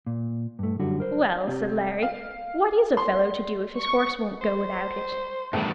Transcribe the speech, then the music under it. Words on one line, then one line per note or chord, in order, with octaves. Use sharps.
"Well," said Larry, "what is a fellow to do if his horse won't go without it?"
A#2
G2 A3
F#2 D3 G3 F#4
A#4 C5
C3
F5
C6
C#6
C5
E2 G2 B2 D#3 G3 A3